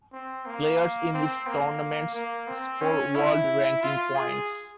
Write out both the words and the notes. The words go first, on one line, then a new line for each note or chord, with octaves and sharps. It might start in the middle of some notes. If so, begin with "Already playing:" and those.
Players in these tournaments score world ranking points.
C4
A#3
C4
A#3
A#3
C4
C#4
E4
F4
G#4